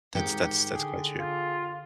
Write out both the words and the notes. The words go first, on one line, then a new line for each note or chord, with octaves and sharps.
That's that's that's quite true.
G#2 D#3 G4 G6 C#7
D3 G#4
F4